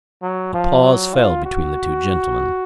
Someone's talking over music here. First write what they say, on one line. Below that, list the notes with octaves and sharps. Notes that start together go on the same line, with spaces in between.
A pause fell between the two gentlemen.
F#3
F3
F#3
F4
F#4